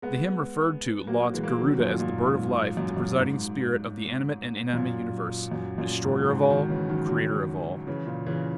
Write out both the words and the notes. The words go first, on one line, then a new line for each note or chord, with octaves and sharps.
The hymn referred to lauds Garuda as "the bird of life, the presiding spirit of the animate and inanimate universe ... destroyer of all, creator of all".
G#3 B3
F#3 A#3
E3 G#3
A#3
G#3
D#3 F#3
F#2 A#2
F#2 A#2
G#2
F#2
F#2
G#2
F#2 A#2
F#2
F#2 A#2
G#2 B2
G#2 B2
B2 D#3
C#3 E3
D#3 F#3
D#3 F#3
C#3 E3
A#2 C#3
C#3 E3